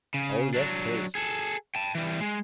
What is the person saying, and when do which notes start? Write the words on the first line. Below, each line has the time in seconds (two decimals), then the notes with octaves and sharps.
Oh yes, 'tis.
0.14 C#3
0.54 F#3 D4
1.15 G#4 A4
1.75 G5 A5
1.95 E3 G3
2.21 G#3